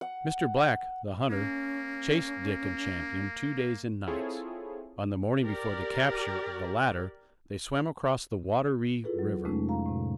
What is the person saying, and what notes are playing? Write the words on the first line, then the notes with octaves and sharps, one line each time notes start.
Mr. Black, the hunter, chased Dick and Champion two days and nights; on the morning before the capture of the latter they swam across the Water-ree river.
F#5
A#3 C#4
C4 E4 F4 G#4 A4 C#5
G4 A#4 D5
E4 F4 G#4 A4 B4
F#3
F2 C3 G#3 A3 C#4 D#4
F5 A#5
A2 C3